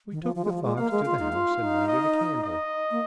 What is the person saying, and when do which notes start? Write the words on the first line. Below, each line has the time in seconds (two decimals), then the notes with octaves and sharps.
We took the fox to the house and lighted a candle.
0.12 D#3
0.22 F3
0.35 F3
0.44 G#3
0.50 F3
0.64 G#3
0.78 A#3 F5
0.91 G#3
1.05 F4
1.19 D#4
1.33 F4
1.60 D#4
1.88 D#5
2.43 D#5
2.91 A#3